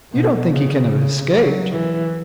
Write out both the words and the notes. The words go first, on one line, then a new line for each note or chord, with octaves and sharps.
"You don't think he can have escaped?"
B2
C#3
C#3
F#3
E3